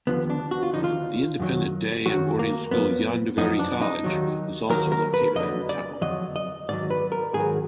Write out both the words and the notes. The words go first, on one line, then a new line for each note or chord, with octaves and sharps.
The independent day and boarding school Llandovery College is also located in the town.
D#2 D3 F3 B3
D4
F#4
F4
D#2 D3 F3 D#4
F4
F#2 D#3 F#3
F#2 D#3 F#3 F#4
A#3
F#2 F3 B3
F#2 F3 D#4
D4
D#4
D#2 D#3 F#3
D#2 D#3 F#3 A#4
A#4
B4
F2 D3 F#3 D#5
D5
F2 D3 F#3 D#5
D#5
G#2 D#3 F#3 D5
B4
A#4
G#2 D#3 F#3 G#4